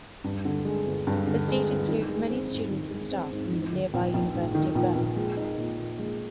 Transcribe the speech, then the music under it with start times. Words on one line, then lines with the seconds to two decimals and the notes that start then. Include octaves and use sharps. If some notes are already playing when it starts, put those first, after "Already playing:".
The seat includes many students and staff from the nearby University of Birmingham.
0.24 G2
0.45 D3
0.65 G#3
0.86 G1
1.07 G2
1.27 D3
1.48 G#3
1.68 G1
1.88 D#3
2.09 G#3
2.30 C4
2.50 G#2
2.70 D#3
2.91 G#3
3.11 C4
3.32 G#2
3.53 G#2
3.73 D#3
3.94 A#1
4.14 A#1
4.34 G#2
4.55 D#3
4.75 A#1
4.95 A#1
5.17 G#3
5.37 D#4
5.58 A#2
5.78 A#2
5.99 G#3